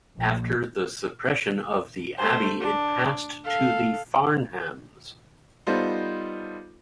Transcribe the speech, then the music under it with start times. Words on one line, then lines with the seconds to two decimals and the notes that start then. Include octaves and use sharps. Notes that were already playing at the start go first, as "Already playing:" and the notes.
After the suppression of the abbey it passed to the Farnhams.
0.16 A#1
2.17 A3 C5
2.60 D4
3.44 A4 F5
5.67 G3 B3 D#4 F4 A4 C5